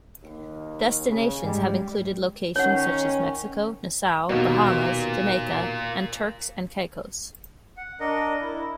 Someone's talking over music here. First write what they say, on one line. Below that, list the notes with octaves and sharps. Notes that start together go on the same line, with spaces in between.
Destinations have included locations such as Mexico, Nassau, Bahamas, Jamaica, and Turks and Caicos.
D#2
C#3
G#2 G3 G#3
D#3 C#4 C#5 F#5
D#2 B2 A#3 F4
F#5
D4 A#4 D#5
E4